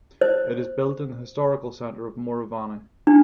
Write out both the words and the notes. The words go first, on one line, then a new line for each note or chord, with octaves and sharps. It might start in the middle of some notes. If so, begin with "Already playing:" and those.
It is built in the historical center of Moravany.
C5
D4